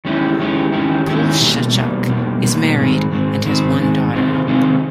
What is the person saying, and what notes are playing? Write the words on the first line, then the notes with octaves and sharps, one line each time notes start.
Poleshchuk is married and has one daughter.
D#3 G#3 C#4 E4 G4
D#3 G#3 C#4 E4 G4
D#3 G#3 C#4 E4 G4
D#3 G#3 C#4 E4 G4
B2 G3 A#3
B2 G3 A#3
B2 G3 A#3
B2 G3 A#3
G#2 D#3 G#3 C4
G#2 D#3 G#3 C4
G#2 D#3 G#3 C4
G#2 D#3 G#3 C4
C3 D#3 G#3 C4 F4
C3 D#3 G#3 C4 F4